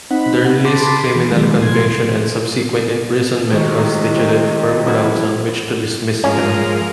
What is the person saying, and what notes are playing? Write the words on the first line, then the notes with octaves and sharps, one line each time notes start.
Dernley's criminal conviction and subsequent imprisonment constituted firm grounds on which to dismiss him.
C4 D#4 F#5 B5
A5 B5 C6 D6
E3 G#4
D#3 F3 F#3 G#3 A#3
B2 A3 C6 G#6
C3 D#3 G#3 F#4
F#2 E3 E4 F#4
G#2 F3 C#4 G#4 A#4